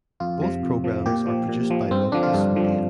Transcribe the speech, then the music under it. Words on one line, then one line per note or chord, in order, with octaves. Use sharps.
Both programmes are produced by Rumpus Media.
F2 F4
C3 F3
F2
C3 F3
A#2 G4
F3
A#2
F3
G2 C4
D3 F3 D4
F4
G2 D4
D3 F3